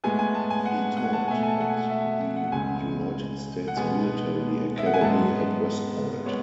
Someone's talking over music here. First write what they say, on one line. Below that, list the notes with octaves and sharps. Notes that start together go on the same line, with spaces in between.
He taught at the United States Military Academy at West Point.
A2 G#3 B3 G#5
G#5
A5
G#5
F#5
F#5
A5
B2 A3 G#5
G#5
A5
F#5
G#5
E5
F#5
F#5
F#5
C#2 C#3 G#3 G#5
F#5
B2 G#3 B3 G#5
E5
F#5
G#5
G#2 G#3 B3 A5
G#3 B3 C#5